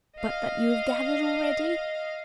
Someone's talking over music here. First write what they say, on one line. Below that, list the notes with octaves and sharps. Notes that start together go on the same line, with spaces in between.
But that you have gathered already?
D#5 F5